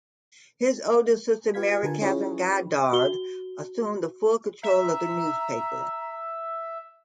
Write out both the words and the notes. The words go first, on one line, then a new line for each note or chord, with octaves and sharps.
His older sister Mary Katherine Goddard assumed full control of the newspaper.
F4 G4 B4 F5 G#6 B6
D3 F4 A#4 B4 G#5 A5
C#4 E4 F4 G#4 B4 C#5
F#4 G7
E5 A#5